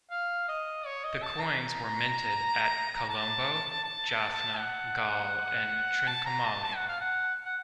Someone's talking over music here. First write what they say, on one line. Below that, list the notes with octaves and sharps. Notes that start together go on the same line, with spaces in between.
The coins were minted at Colombo, Jaffna, Galle and Trincomalee.
F5
D#5
C#5
D#5
A5
A#5
A5
A5
A5
A5
F#5
A5
A#5
A5
A5
F#5
F5
F#5
F#5